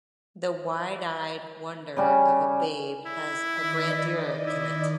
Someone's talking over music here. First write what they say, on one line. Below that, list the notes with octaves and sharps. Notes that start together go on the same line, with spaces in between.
The wide-eyed wonder of a babe has a grandeur in it.
C#3 G3 C#4
E4
D#3 D5 D#5
E4